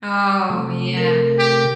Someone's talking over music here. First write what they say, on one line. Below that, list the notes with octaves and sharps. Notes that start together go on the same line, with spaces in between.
Oh, yeah.
C3 A3
A#4
G4